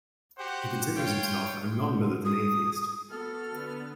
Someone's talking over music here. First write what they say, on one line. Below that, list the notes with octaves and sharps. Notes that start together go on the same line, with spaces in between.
He considers himself a "non-militant atheist".
F#4 G4 C5 F#5
F4 C#5 F5 G5
D#6
B3 F#4 A4 F6
D3 B3